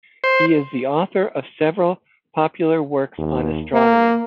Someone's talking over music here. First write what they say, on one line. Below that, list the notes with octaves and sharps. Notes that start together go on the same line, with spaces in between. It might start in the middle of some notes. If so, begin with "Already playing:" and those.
He is the author of several popular works on astronomy.
C5
D#2
A#3